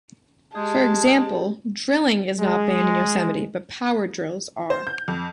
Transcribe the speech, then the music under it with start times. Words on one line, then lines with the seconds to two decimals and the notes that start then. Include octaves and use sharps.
For example, drilling is not banned in Yosemite, but power drills are.
0.55 G#3 G4 G#4 A5
2.39 G#3
4.70 C5
4.87 G6
5.08 F2